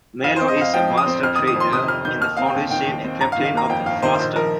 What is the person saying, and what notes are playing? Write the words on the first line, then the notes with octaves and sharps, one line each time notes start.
Mallow is a Master Trader in the Foundation and captain of the "Far Star".
F2 F5
C5
C4
D#5
F2 F5
F3 G5
F2
D#6
C4
F2 F6
D#6
D#3
D#6
F2 C6
C3 D#6
F2 F6
D#3 G6
D#2 F6
C4 F5
G5
D#2
D#3 G5
D#2
C4
G1 A#5
F5
D#3
F5
A#3 A#5
F2 G5
G1 F5
D#3 C5
A#1 C5
F3 A#4